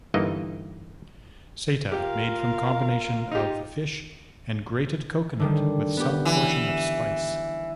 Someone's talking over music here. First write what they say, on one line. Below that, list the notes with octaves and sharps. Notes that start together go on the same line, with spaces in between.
Sata made from combination of fish and grated coconut, with some portion of spice.
G1 G2 E3 A#3 D#4 D#5
F4 G4 A#4 F5
D#4 F4 G4
D3 D#3 G3
B3 G4
E3